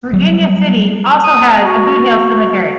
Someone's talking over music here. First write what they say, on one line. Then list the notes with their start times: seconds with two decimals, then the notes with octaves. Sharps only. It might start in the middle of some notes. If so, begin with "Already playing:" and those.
Virginia City also has a Boothill Cemetery.
0.13 F#3 G3
1.23 D#6
1.61 F#4